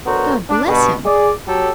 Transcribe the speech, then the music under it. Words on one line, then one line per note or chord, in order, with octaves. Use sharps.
God bless him!
D3 F#3 B3 F#4 A#4 C5
D4
G2 B2
G#4 D5
F#3 G4 A4